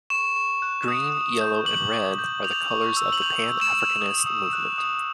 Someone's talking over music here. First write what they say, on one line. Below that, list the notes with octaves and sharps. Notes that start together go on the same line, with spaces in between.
Green, yellow and red are the colours of the Pan-Africanist movement.
C#6 E7
C#6
F#6
D#6
D#6
G6
D6 F#7
D6
G6
G6 F7
C#6
E6
F#7
G6 F7
C#6
E7
E6
D#6
D#6
F#6
D#6